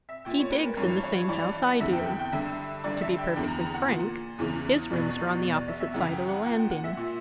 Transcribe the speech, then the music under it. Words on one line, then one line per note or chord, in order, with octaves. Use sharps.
He digs in the same house I do. To be perfectly frank, his rooms are on the opposite side of the landing.
E5
A#2 G5
C#5
B4
A#4
G2 E3 C#5
C#5
G2 E3 D5
D5
F#5
E2 D3 E5
G5
G5
G5
G2 D3 E5
G2 D3 D5
E5
G5
E2 D3 G5
A#5
A#5
F#5
A#2
E2 C#3 E3
E2 B2 D5
E2 B2
D5
E5
E5
F#2 C#3 E3 F#5
G5
F#5
A#2 F#5
G5
F#5
E5
A#2